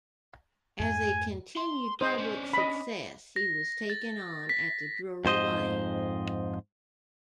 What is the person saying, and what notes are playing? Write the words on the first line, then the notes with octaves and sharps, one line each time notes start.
As a continued public success, he was taken on at the Drury Lane.
F2 G#2 A3 G#5
C6
D#4 G#4 C5 D#5
C#4 D4
D#5 B5
A#6
A6
B6
F2 G#2 C5 D#5